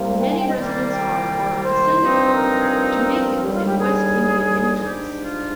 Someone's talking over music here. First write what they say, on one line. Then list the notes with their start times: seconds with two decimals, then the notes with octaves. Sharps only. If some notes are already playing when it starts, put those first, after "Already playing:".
Many residents are or are descended from Jamaican and West Indian immigrants.
Already playing: C2 C3 G3 A#3
0.20 G5
0.30 G#5
0.39 G5
0.48 D#5
0.57 C2 C3 D#3 G3 A#3 D5
0.92 G5
1.63 C5
1.99 G2 F3 C4 D#4
2.35 A#4
2.60 G#4
2.71 A#4
3.42 D#2 D3 G3 G4
3.53 F4
3.66 G4
3.78 G#4
4.84 G#2 G3 D4 G4
5.21 F4